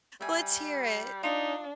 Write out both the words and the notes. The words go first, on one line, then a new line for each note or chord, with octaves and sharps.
Let's hear it.
G3 E5 G#5
D4 D#4 F4 D#6